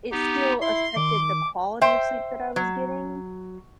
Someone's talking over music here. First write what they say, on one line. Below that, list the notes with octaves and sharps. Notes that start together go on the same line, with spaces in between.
it still affected the quality of sleep that I was getting.
B3 D#4 G4
E4 C6 C7
D#3 D6
C5 E5 G5
F#3